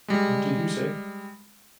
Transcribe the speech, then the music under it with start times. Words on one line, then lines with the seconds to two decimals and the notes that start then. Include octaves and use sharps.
"What did you say?"
0.08 G3 G#3